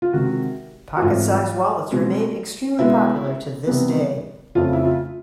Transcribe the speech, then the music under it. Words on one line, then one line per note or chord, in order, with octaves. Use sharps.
Pocket-sized wallets remain extremely popular to this day.
F4
C3 D#3 G#3 F#4
F#4
G#2 E3 A3 C4 F4
B2 G#3 C4
B2 G#3 B3 E4
C3 E3 G3 B3
F2 C#3 F3 A3 C4 F4
E4
F4